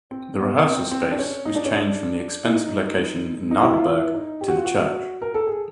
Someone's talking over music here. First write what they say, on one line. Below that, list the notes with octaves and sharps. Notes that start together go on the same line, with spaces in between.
The rehearsal space was changed from the expensive location in Nadelberg to the church.
C4
B3
C4
C4
D4
C#4
D#4
D4
C#4
D4
E4
D#4
D#4
E4
F4
E4
D#4
G4
F#4
F4
F#4
A#4
A4
G#4